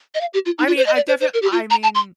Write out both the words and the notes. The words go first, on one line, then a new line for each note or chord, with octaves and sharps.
I mean, I def I mean,
D#5
F5
G4
F4
D#4
F4
C5
D#5
D5
C5
C5
A#4
G4
F4
A#5
A5
C6